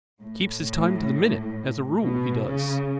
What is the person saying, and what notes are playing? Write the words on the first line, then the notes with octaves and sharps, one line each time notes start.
"Keeps his time to the minute, as a rule, he does."
A2
B2
C#3